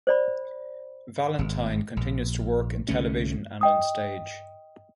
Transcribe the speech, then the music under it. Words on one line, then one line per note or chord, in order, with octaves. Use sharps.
Valentine continues to work in television and on stage.
C5 D5 B5
G#1
A#1
C2 D3 A3 C#4
D#5 G5 D#6